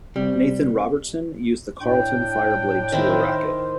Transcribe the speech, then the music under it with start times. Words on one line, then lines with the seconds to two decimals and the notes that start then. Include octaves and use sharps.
Nathan Robertson used the Carlton Fireblade Tour racket.
0.16 C3 G3
1.81 A2 D4 G5
2.92 D#3 D#4 E4 C5